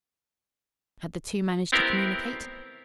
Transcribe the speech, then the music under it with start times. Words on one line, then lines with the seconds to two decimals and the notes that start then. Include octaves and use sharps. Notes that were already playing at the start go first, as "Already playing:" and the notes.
Had the two managed to communicate?
1.72 B3 C4 E4 G4 A#4